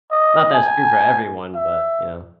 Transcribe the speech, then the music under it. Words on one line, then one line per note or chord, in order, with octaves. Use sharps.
Not that it's true for everyone, but, you know,
D#5
G#5
E5